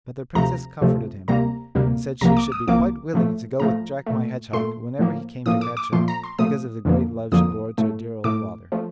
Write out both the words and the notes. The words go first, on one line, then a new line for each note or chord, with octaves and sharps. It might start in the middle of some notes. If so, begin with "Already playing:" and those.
But the Princess comforted him, and said she should be quite willing to go with Jack my Hedgehog whenever he came to fetch her, because of the great love she bore to her dear old father.
D2 C3 F3 A3 A#5
D2 C3 F3 A3
D2 C3 G3 A#3 A#5
D2 C3 G3 A#3
C2 C3 F3 A#3 A#5
D6
D#6
C2 C3 F3 A#3 D6
A2 F3 A3
A2 F3 A3 A#5
A#2 A3
A#2 A3 C6
A2 F3 A#3
A2 F3 A#3 D#6
D6
D6
A#2 F3 A3 C6
A#5
C6
A#2 F3 A3 D#6
F2 D3 F3 A#3
F2 D3 F3 A#3 D#6
A2 A3
A2 A3 D6
F3 A3